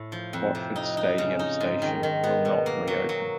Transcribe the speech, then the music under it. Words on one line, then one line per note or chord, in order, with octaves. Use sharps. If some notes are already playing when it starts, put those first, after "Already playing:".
Watford Stadium station will not re-open.
Already playing: A2
F3
F2
C3
D#4
D#4
C#3
D#4
G#2
D#3
D#3
B3
B2
A#3
F#3
F#3